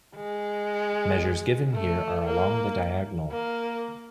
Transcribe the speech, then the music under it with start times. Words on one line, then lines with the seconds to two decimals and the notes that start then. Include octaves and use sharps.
Measures given here are along the diagonal.
0.16 G#3
1.73 A3
2.26 A#3
3.31 A#3